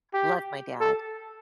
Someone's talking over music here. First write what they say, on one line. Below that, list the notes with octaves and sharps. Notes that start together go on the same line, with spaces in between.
love my dad-
G4
A4